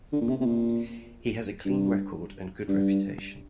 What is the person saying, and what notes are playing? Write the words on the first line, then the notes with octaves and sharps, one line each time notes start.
He has a clean record and good reputation.
D3
A#2
C3
C3
A#2
G2
G2